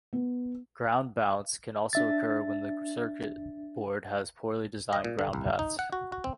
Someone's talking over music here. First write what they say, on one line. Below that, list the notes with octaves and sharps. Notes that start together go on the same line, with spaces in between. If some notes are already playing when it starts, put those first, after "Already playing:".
Ground bounce can also occur when the circuit board has poorly designed ground paths.
B3
D4 E5 A6
D#5
A#2
D3
C2
D#4
F#5
F#4
F#4
C4